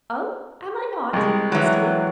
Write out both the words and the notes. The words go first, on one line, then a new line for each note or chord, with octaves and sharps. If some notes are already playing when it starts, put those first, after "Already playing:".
'Oh, am I not?' asked he.
C2 G#3
E3 F#3